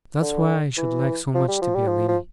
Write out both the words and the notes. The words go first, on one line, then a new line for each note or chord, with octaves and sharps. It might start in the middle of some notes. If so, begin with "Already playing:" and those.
That's why I should like so much to be a lady.
D3
E3
F3
G3
F3
G3
F3
F3